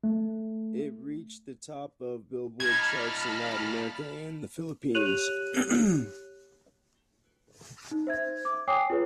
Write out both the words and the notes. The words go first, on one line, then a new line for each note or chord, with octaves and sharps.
It reached the top of Billboard charts in Latin America and the Philippines.
A3
A#2 D#4 A5 B5 F6 G#6
G4 C#5 F#6 D#7 F7 F#7
D#4
C5 E5 G#6
D6
C#5 G5 G#5 D6 D#6 C7
F4 G#4 B4 C#5